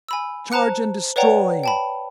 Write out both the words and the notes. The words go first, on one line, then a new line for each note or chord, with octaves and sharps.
Charge and destroy!
G#5 B5 E6
C5 A5 A#5 F#6 C#7
B4 C#5 D5 F#5 G5 A#5
G5 A5 B5